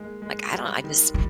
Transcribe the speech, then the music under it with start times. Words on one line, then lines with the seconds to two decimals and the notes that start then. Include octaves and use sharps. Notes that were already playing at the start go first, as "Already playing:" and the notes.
Like, I don't, I just
Already playing: D#3 G#3 A#3
0.22 G#3
0.53 G3
0.84 D#3
1.14 F3 G3